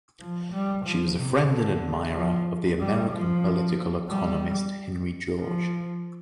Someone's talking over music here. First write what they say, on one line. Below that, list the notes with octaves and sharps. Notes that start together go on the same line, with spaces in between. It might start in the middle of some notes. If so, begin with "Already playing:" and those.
She was a friend and admirer of the American political economist Henry George.
F3
G3
F3
C3
D3
F3
G3
F3
G3
F3